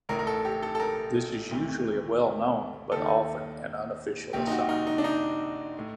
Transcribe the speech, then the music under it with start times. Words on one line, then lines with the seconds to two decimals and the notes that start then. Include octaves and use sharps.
This is usually a well-known but often an unofficial assignment.
0.09 A1 A2 A#4
0.19 A#4
0.27 A4
0.45 G4
0.63 A4
0.75 A4
0.80 A#4
1.51 D2 C3 D#3
2.92 D#2 D#3 A4
4.33 A#1 A#2 G4
4.47 D#4
4.51 F#4
4.69 D#4
4.87 D#4
4.98 D4
5.04 D#4
5.79 A2